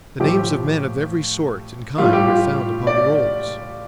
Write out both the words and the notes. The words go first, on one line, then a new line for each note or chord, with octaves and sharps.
The names of men of every sort and kind are found upon the rolls.
A2 F3 G4
A2 G3 F4
G4
F4
D5